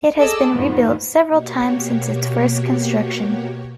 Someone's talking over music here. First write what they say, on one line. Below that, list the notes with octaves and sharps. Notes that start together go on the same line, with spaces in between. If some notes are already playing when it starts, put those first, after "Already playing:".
It has been rebuilt several times since its first construction.
G#4 A4 D5 D#5 A5 E6
F#2 A2 D#3 F3 A#3 B3
B2 A#3 F#4 G4 C#5